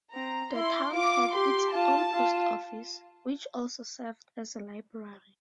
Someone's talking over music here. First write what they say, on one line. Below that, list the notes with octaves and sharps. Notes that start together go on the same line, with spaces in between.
The town had its own post office, which also served as a library.
C4 A#5
E4 C6
F4 D6
G4 C6
F4 A5
F4